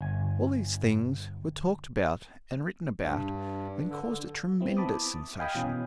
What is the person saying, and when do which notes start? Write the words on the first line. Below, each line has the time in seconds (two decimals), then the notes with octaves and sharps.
All these things were talked about and written about, and caused a tremendous sensation.
0.01 G1 G#5
3.02 G2
3.90 D3
4.60 B3 C4 E4
4.77 A5 B5 D6 D#6
5.39 D#5 F5 G5 G#5 B5 D#6
5.55 B2 E3 C#4